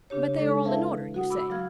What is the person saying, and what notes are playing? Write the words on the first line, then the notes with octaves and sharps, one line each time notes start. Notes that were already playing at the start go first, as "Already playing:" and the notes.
"But they are all in order, you say?"
C#3 D4 G4 C#5
G#3 D4 D#4 A4
E4 G#4 B4 E5 F5 A5
F#4 F#5 D#6
B5 D6 E6
F#3 F5 F6 G#6